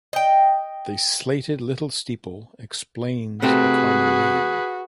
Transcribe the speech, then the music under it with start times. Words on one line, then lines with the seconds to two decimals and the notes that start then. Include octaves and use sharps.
The slated little steeple explains the common name.
0.13 D#5 G5
3.42 C3 A3 C4 F#4 G#4 B4